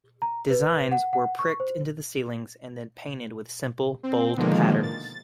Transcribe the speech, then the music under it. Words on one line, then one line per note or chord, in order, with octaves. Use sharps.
Designs were pricked into the ceilings and then painted with simple, bold patterns.
A#5
B4
F#5
F#5
C#6
C5
C4
B2 D3 D#3 F3 G#3 A#3
A6